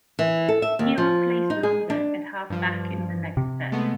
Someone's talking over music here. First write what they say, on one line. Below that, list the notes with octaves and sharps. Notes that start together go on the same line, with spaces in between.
He replaced Langer at halfback in the next test.
E3
A4
E5
D#2
F3
D#4
G#4
D4
G2 F3
C3
G#3 A3 B3